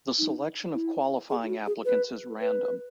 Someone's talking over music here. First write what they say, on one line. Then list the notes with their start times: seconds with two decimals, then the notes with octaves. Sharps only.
The selection of qualifying applicants is random.
0.19 D#4
0.74 E4
1.30 G#4
1.43 E4
1.48 F#4
1.67 G#4
1.85 B4
2.41 B4